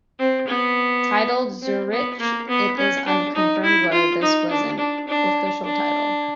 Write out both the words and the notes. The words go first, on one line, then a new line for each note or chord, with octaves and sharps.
Titled "Zurich", it is unconfirmed whether this was an official title.
C4
B3
C4
B3
A#3
B3
C#4
D4
D#4
E4
F4
D#4
D4
D4
D4
D4